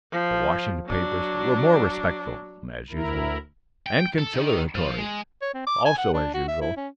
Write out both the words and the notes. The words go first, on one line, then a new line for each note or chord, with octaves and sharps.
The Washington papers were more respectful, as usual--and conciliatory, also, as usual.
F3
F#3 D4
D2 E4 A#4
G5
A4
D#3
F3
G#3
C#5
C4
D6
G#5
F#5
D4
F#4
E5
E4
C#4